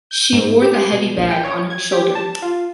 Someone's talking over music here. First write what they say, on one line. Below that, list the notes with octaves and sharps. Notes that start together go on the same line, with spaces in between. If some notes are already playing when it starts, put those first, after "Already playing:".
She wore the heavy bag on her shoulder.
G6
G#2
G4
B2
A#1
G5
C#5
G#6
G4
A5
F4